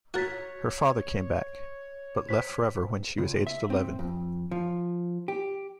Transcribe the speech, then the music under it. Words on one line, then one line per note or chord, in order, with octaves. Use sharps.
Her father came back, but left forever when she was aged eleven.
F#4 A#4 C#5 F#6 A6 B6
C5 B6
C#2
E5
C4
F2
F3
G4